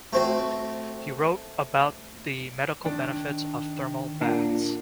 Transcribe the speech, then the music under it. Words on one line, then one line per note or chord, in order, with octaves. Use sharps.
He wrote about the medical benefits of thermal baths.
A3 C4 F#4
D#3 D4
A#2 D4 F#5 A#5